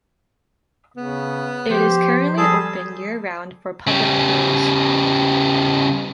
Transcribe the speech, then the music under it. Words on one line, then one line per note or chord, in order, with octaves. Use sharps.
It is currently open year-round for public tours.
C#3 B3
F3 G4 C5
G3 G#4 A4
C#3 G3